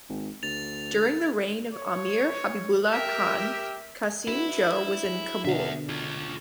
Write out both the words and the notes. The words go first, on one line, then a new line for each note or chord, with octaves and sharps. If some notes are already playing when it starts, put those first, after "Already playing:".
During the reign of Amir Habibullah Khan, Qasim Jo was in Kabul.
G#1
D2 A6 F7
C#5
G4 A#4 E5
D4 E4 F#4 B4
G#4
B2 D3 D4 E5 F#5
F4 G#4